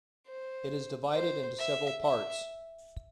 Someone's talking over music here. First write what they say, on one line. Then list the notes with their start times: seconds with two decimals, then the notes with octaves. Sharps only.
It is divided into several parts.
0.28 C5
1.14 C5
1.58 E5
2.02 E5